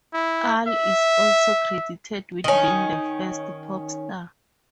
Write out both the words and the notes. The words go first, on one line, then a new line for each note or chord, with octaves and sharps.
Al is also credited with being the first "pop star".
E4
E5
D#3 C#4